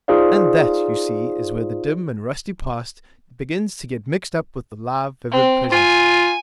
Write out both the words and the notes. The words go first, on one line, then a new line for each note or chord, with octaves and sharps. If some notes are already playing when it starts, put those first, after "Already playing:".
And that, you see, is where the dim and rusty past begins to get mixed up with the live, vivid present.
D#4 F4 G#4 C5 D5 F5
C4
F4 G#5